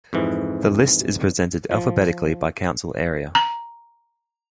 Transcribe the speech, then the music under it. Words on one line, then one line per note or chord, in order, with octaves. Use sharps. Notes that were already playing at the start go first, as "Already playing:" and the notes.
The list is presented alphabetically by council area.
F2 G#2 E3
F3
A#5